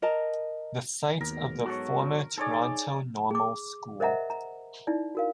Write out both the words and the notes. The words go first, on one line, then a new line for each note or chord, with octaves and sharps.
The site of the former Toronto Normal School.
A#4 D#5 A5 A#5
D#2 G#2 F#3 B3 A#4
F#4 A4 C#5
D#4 G#4 A4 C#5 D5
G#4 D6
A#4 C5 D#5 E5 F#5 A#5
A#5
D#4 E4 D5
F#4 A#4 F5